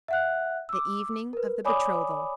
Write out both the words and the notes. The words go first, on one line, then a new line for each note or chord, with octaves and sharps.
The Evening of the Betrothal.
E5 F#5 F#6
D6 E6
A#4 B4
C#5 D5 G#5 B5 D6 D#6